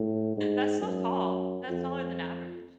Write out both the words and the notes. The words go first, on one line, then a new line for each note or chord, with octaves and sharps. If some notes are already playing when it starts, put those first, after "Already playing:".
That's so tall. That's taller than average.
Already playing: A2
G#2
F#2
F2